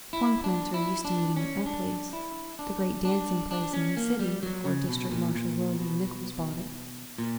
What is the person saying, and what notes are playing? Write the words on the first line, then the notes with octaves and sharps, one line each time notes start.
Cornplanter used to meet him at Epply's--the great dancing-place in the city before District Marshal William Nichols bought it.
E4
D4
E4
D4
C#4
D4
E4
D4
D4
D4
C#4
A#3
G3
F#3
C#3
B2
A#2
A#2
B2
A#2